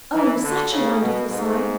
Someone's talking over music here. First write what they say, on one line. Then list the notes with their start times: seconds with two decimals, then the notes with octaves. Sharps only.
Oh, such a wonderful sight!
0.14 E3
0.42 D3
0.71 C#3
1.01 B2
1.29 G#2